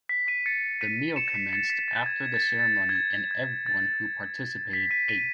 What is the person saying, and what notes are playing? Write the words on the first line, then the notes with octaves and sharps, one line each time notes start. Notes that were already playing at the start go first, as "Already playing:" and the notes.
The meal commenced after the ceremony and everyone who participated ate.
B6
B6 D#7
A6 C#7
B6 D#7
C#7 E7
C#7
B6 D#7
A6 C#7
B6
A6
G#6
G#6
A6
G#6
A6
G#6
A6
G#6
A6
B6
B6 D#7
B6 D#7